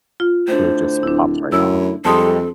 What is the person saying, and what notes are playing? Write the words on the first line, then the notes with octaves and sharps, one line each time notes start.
So it just pops right off.
F4
A2 D3 C5
D1 D4 E4
F#2 E4 E6
F2 G3 G#3 C4 A4 A5 C6 D#6